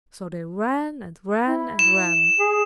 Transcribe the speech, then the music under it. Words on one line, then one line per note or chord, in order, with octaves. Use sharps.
So they ran and ran and ran.
E4
E7
G#4